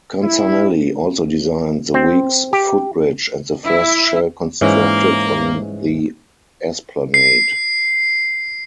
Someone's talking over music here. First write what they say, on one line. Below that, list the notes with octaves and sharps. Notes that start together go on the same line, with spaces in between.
Canzanelli also designed the Weeks footbridge and the first shell constructed on the Esplanade.
E4
C4
G4
E4
G#2 E3 A#3 C#4
C7